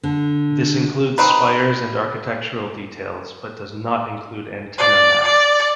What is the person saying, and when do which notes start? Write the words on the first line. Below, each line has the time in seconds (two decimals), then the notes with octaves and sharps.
This includes spires and architectural details but does not include antenna masts.
0.03 D3
1.18 C4 D#4 B4
4.78 D5
5.23 D5